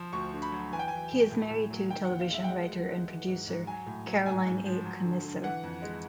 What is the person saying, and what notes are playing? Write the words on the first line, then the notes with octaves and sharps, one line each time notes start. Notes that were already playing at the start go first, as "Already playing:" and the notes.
He is married to television writer and producer Caroline A. Commisso.
Already playing: F3
D2 C#6
D3
B5
F#3
E3 G#5
G5
E3 G#5
A2
A2
A2
F#3
D#3 G5
D#2 F#5
F5
G#3 E5
G5
G#3 F#5
D2
G#3
E3
G#2
G#2
F#3 G#5
A2
F#3
G#2 G#5
G#2
F3
F#3
D3
D3
E3 F#5
F2
G#3